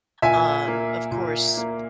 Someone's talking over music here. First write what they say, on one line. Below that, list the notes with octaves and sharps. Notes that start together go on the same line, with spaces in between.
um, of course,
A#2 E5 G#5
A#3
A#2
A#3